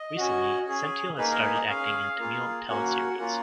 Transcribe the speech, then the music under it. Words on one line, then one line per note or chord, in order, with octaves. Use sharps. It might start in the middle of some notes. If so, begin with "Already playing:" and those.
Recently, Senthil has started acting in Tamil tele-serials.
Already playing: D#5
C#4 F#4
C#4 G#4
A#3 D#4 G#4 B4
A#4
B4
D#5
C#4 G#4 F5
A#3 F4 G#4
A#3 C#4 F#4 F#5
A#3 C#4 F4